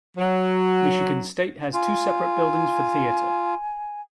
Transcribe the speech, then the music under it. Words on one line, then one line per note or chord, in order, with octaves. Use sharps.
Michigan State has two separate buildings for theatre.
F#3
F4 G#5